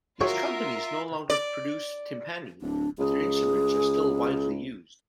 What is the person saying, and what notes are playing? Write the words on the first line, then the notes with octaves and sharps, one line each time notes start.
These companies no longer produce timpani, but their instruments are still widely used.
F4 F#4 G#4 A#4 C#5 E5 G5 C6
D5
D1 D4
C#2 G#4